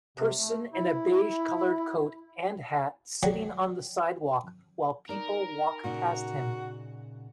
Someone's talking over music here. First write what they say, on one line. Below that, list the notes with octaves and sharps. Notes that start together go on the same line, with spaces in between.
Person in a beige colored coat and hat sitting on the sidewalk while people walk past him.
C3
A3
E4
F#3 G3
D#4 A#4 D5
A#2 C#3 D#4 F#4